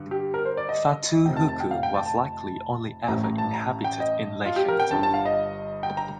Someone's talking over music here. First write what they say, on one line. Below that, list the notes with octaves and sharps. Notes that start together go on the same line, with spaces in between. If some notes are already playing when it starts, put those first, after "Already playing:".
Fatu Huku was likely only ever inhabited in legend.
Already playing: G2 D3
G4
A#4
C5
D5
D#5
F1 F2 C3 D#3 G5
A5
A5
G5
F5
G5
A5
A5
A1 A2 A3 A#5
A#5
A5
A#5
G5
D#5
F4
G4
A#4
G5
G1 G2 D3 A5
A5
F5
D#5
G5
A#5